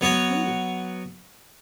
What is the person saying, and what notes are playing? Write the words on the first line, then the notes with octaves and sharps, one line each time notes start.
"But who?"
F#3 B3 F#4 C#5